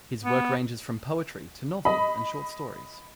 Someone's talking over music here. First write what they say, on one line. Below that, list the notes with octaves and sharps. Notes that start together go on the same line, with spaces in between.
His work ranges from poetry to novel and short stories.
B3
D#5 B5